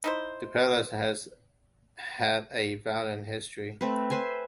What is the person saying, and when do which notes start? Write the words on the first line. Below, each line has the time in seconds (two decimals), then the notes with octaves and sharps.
The palace has had a violent history.
0.04 D#4 E4 C5
3.81 A3 C4 B4
4.10 B4 C5 E5 G#5